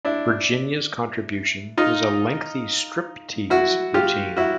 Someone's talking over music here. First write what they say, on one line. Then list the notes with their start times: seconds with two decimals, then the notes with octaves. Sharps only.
Virginia's contribution is a lengthy striptease routine.
0.05 D4 E4
1.77 D#4 F4
3.50 E4 F#4
3.94 F4 G4
4.37 E4 F#4